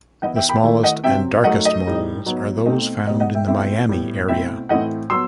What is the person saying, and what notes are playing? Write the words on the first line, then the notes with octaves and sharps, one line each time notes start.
The smallest and darkest moles are those found in the Miami area.
E3 B3 E4 D#5 F#5
E5 G5
G5 B5
D#3 A3 E4
D#5 F#5
C3 F#3 C4 E5 G5
F#3 A3 D#4 D#5 F#5
D#5
A2 G3 D#4
F#3 B3 D#4
B2 A3 C4 D#4 D#5
B2 G3 B3 D#4 D#5
D#5 F#5
E5 G5
B2 A3 C4 E4 E5 G5
A2 G3 B3 E4
B2 A3 C4 E4 E5 G5
A2 E3 A3 C4 E4 D#5 F#5
F#3 B3 C6 E6